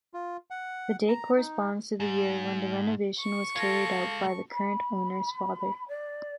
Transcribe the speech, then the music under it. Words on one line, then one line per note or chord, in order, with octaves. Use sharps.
The date corresponds to the year when the renovation was carried out by the current owner’s father.
F4
F#5
A#5
D#4
G#2
C#6
G#3 A4 F5 G#6 A#6
B5
D5